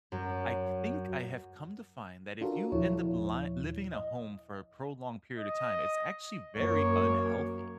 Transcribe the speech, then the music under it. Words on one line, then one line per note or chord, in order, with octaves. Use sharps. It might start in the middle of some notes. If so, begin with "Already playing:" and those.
I c think I have come to find that if you end up ly living in a home for a prolonged period of time, it's actually very unhealthy.
F#2
D4 F4 F#4 A4 A#4
D#2 A#2 F3 E4 C#5
D#5
D#5
F#2 A#3 C#5